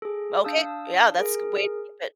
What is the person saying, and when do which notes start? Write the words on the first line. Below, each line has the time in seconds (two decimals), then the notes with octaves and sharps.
Okay, yeah. That's a good way to keep it.
0.02 G#4 A4
0.44 D4 F5 A5 D#6 E6
1.18 G#4 A#4